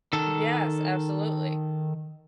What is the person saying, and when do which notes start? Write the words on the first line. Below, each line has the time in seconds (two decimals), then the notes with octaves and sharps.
Yes, absolutely.
0.13 D#3 A4